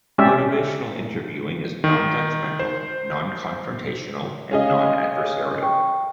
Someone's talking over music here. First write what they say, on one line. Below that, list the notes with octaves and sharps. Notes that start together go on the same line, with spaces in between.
Motivational interviewing is non-judgmental, non-confrontational and non-adversarial.
G#3 C#4 G4 D5 E5
D#3
C5
C#4 G#4 D#5 F5
G5 C#6